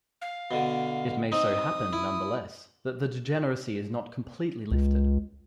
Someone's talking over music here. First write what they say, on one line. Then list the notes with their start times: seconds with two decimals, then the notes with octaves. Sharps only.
It may so happen, nonetheless, that the degeneracy is not completely lifted.
0.22 F5
0.51 B2 D3
1.32 C4 D#4 D#6
1.93 E4
4.71 C#2